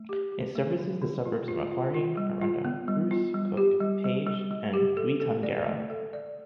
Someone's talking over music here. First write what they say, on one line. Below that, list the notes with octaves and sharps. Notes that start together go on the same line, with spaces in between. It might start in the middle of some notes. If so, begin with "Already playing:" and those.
It services the suburbs of Macquarie, Aranda, Bruce, Cook, Page and Weetangera.
Already playing: A3
G4
G4
A3
D3
D3
F4
F4
F4
F4
G3
F4
B3
G3
F4
G3
G4
G3
G3
G3
G3
G4
A4
A4
D5
A3
A4
D5